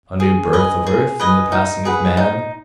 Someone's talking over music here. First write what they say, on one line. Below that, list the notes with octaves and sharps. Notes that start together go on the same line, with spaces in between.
A new birth of Earth and the passing of man?
G#4
B4 D#5 G#5
G#4
B4 D#5 G#5
D#4
G#4 B4 F#5
D#4